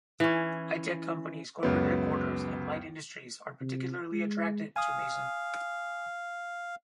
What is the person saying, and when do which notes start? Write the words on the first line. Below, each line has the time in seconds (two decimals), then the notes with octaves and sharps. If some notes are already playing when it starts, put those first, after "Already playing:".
High-tech companies, corporate headquarters, and light industries are particularly attracted to Mason.
0.20 E3 C#4
1.63 C#2 F#2 B3
3.61 C3
4.12 G#3
4.76 F5 G#5 D#6